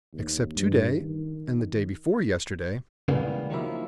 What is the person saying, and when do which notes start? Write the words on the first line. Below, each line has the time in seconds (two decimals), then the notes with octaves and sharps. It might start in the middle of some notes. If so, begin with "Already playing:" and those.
"Except to-day, and the day before yesterday."
0.13 D#2
0.56 G2
1.01 D#3
3.08 C#2 C#3 E3 G3 A#3 B3
3.50 D#3 F3 F#3 A3 A#3 E4